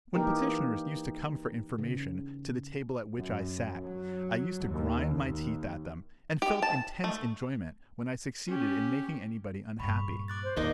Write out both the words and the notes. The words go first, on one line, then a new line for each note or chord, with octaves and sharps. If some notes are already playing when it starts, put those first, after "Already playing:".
When petitioners used to come for information to the table at which I sat, I used to grind my teeth at them, and felt intense enjoyment when I succeeded in making anybody unhappy.
E3 A#3 D#4 G4 A#4
C#3
F#2
F#3
D#2
D#2
G4
A5
A3
C#4 G4
G2 A#2 B5 C#6
D6 F#6 A6
C5
D#2 A#2 A#3 D#4 G4 D5 D#5